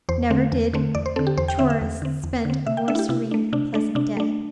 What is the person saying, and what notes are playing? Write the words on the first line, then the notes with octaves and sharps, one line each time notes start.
Never did tourists spend a more serene and pleasant day.
E2 C5
D3 A3 C4
E2
D3 A3 C4
E2 D5
C5
D3 C4 A4
G4
E2 C5
G5
D3 C4 E5
E5
E2
D3 C4
E2
D3 C4
C3 E5
G5
A3 D4 E5
E4
G4
C3 E4
A3 D4
C3 D4
A3 D4
C3 D4
A3 D4